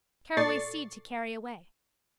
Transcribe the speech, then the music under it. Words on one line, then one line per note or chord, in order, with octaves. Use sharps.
Caraway seed to carry away.
A#2 A4 D5 C#6 A6 C7